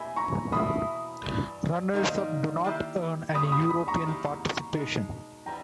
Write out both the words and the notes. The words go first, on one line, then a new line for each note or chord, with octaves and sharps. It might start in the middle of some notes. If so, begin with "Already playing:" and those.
Runners-up do not earn any European participation.
Already playing: B2 A#3 E4 G4 G#5 B5
A#5 C#6
E2 B2 A#3 E4 B5 D#6
G2 E3 G3
G#2 D#3 G3 A#3 D#4
D#3 A#3 E4 G4
G2 D#3 A#3 C#4 G4 B5 D#6
B5 D#6
B5 D#6
A#5 C#6
D#3 A#3 E4 G4
B2 G#3 D#4
E3 G3 B3 G5 A#5